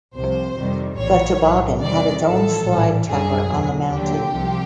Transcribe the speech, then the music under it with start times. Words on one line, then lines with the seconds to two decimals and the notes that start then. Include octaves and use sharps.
The Toboggan had its own slide tower on the mountain.
0.14 C2 C3 F3 C5
0.56 F2 C3 D#3 G3
0.98 A#1 A2 E3 G3 C#5
1.39 B1 A2 F#3
1.81 E2 C3 D#3 G3 D5
2.23 A1 A2 F3 A4
2.66 A#1 A2 E3 G3
3.07 F#2 D3 G3 G#4
3.49 E2 B2 F#3
3.90 D#2 D3 F#3 G4
4.32 C2 C3 F3